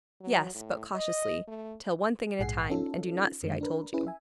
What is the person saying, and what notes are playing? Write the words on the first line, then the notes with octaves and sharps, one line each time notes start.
"Yes, but cautiously, tell one thing at a time, and do not say I told you."
F#3
A2
D#5
A3
A#1 G#2 G#4 F#5 G#5 C7
C#4 D#4 F4 A4
F#2 D3 D#3 G#3
D4 A#4 B4
C#4 E4 G#4 B4
E5 G#5